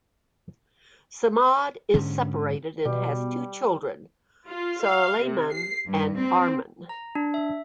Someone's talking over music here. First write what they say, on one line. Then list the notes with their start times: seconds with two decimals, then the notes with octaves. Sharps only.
Samad is separated and has two children, Soleiman and Arman.
1.94 G#2 D3 C#4
2.85 B2 G3
4.48 F4
4.82 F5
5.24 C3
5.52 C7
5.87 G2
6.18 C4
6.89 A#5
7.15 D4
7.34 E5